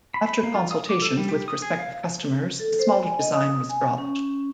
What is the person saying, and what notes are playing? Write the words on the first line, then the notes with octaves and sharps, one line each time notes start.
After consultations with prospective customers, the smaller design was dropped.
B5
B5
A#3
F4
D#6
D6
A4
G3
G4
D#6
G#4
F5
A4
C5
G#5
D#5
D#6
G#5
C#4